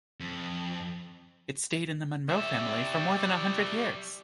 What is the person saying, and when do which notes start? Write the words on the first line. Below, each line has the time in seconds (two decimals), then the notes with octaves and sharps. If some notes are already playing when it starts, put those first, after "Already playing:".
It stayed in the Monro family for more than a hundred years.
0.20 F2
2.29 G3 E5